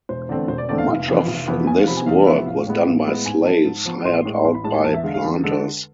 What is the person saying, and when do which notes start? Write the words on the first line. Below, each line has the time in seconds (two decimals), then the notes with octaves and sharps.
Much of this work was done by slaves hired out by planters.
0.09 E1 C5
0.29 E2 D3 A3 C4 D5
0.48 E1 C5
0.58 D5
0.69 E2 D3 A3 C4 D5
0.78 F5
0.88 F1
1.08 F2 E3 B3
1.28 F1
1.48 F2 E3 B3
1.67 E2 G#5
1.77 F5
1.87 C3 F3 B3 B5
1.97 G#5
2.06 E2 F5
2.27 C3 F3 B3 E5
2.47 A1 F5
2.66 A2 G#3 B3
2.86 A1
3.06 A2 G#3 B3
3.26 G#2 G#5
3.46 F3 B3 A5
3.65 G#2
3.85 F3 B3
4.05 A1 C6
4.25 A2 G#3
4.44 A1 C6
4.54 B5
4.64 A2 G#3 A5
4.74 G#5
4.84 E2 A5
4.94 E5
5.03 D3 G#3 F5
5.14 F5
5.24 E2
5.44 D3 G#3 A4